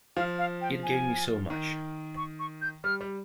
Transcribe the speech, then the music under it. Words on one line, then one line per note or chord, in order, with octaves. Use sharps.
It gave me so much.
F3 F5
F5
G5
G#5
D#3
C#6
C#6
G6
G3 F6
G3